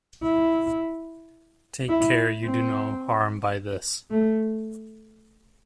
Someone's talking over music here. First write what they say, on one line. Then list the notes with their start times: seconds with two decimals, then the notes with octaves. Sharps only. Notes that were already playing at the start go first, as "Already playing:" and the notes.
Take care you do no harm by this.
0.23 E4
1.89 E4
2.45 C4
4.11 A3